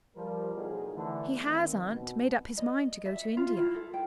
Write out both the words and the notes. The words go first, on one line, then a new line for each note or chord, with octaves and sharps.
"He has, aunt, made up his mind to go to India."
F3 G3 A#4
B1 A2 F3 D#4 F#4 G#4
D3 E3 A3
D#3 C4
B2
D#5
E5
F4
E4
A4
G5